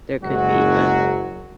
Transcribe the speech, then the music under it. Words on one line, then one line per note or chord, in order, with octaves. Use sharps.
there could be, but
F#1 F#3 G#3 F#4